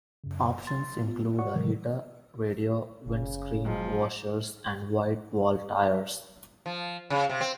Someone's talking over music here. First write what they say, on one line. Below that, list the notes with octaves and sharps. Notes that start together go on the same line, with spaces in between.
Options included a heater, radio, windscreen washers and white-wall tyres.
F#2 C#3
C6 A6
B3 F4
F#4 C#5 D5 F#5 C#6
C3 D#3 E3 F#3 G#3 A#4
F#1 C#3
B1 F3 G#3
F3
C#3
C3
C4